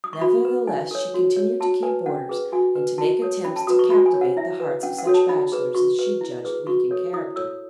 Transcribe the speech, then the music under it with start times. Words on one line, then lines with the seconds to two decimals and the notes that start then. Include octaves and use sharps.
Nevertheless, she continued to keep boarders, and to make attempts to captivate the hearts of such bachelors as she judged weak in character.
0.04 D#6
0.13 C#6
0.21 F#4 B5
0.45 B4
0.67 D#4 G#5
0.91 A4 C#5
1.14 F#4
1.36 C#5
1.60 F#4 A5
1.83 B4 G#5
2.06 C#4 F#5
2.29 G#4 B4
2.52 F#4 G#5
2.75 B4
2.98 F#4 A5
3.22 A4 C#5
3.45 C#4 B5
3.56 A5
3.67 F#4 B4 D#6
3.79 C#6
3.90 F#4 B5
4.06 G#5
4.14 C#5
4.21 F#5
4.37 E4 E5
4.60 B4
4.83 C#4 F#5
4.98 F#5
5.06 F#4 A4 C#5
5.14 A5
5.29 D#4 B5
5.52 G#4 B4
5.75 F#4 C#6
5.99 B4
6.21 E4
6.45 G#4 B4
6.67 F#4 C#6
6.91 A4 C#5
7.13 E4 D#6
7.36 A4 C#5 E6